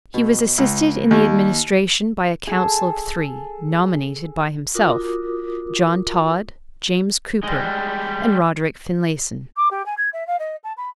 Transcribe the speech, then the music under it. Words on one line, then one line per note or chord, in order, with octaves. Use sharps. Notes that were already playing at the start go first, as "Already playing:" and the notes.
He was assisted in the administration by a council of three, nominated by himself--John Tod, James Cooper, and Roderick Finlayson.
B2
C#2
D#2
G#4 A4
F4 F#4 A#4 D6 D#6
G3 G#3
D6
G4
G#5
G#6
E5
F5
D#5
A5
B5